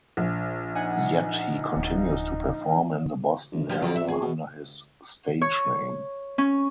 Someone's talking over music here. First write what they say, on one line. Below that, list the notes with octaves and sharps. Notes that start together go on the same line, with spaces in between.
Yet he continues to perform in the Boston area under his stage name.
A#1
D#4 F#5 G#5
D1
D2
F3 G3 C#4
F2 D3 F3 F#3
E5
G#4
B2
C#5
C#4